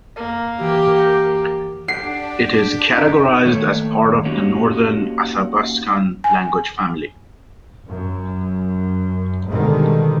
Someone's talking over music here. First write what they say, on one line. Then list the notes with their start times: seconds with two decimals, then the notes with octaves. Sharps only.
It is categorized as part of the Northern Athabaskan language family.
0.16 A#3
0.60 E3 G4
0.97 F#5 G6 A#6
1.88 D4 G4 F#5 C7
2.92 C#4 D#4
3.46 D#3 A3 A#3 A4 C#5
4.25 A#3 C#4 D#4 F#4 G4 C#5
6.24 G#5
7.90 F#2
9.47 G#2 B2 D3 D#3 G3 G#3